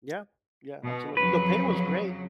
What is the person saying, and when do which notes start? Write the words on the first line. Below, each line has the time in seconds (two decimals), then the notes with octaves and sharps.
Yeah, yeah, absolutely, the pay was great,
0.84 B2
1.17 F2 C#3 F#3 B4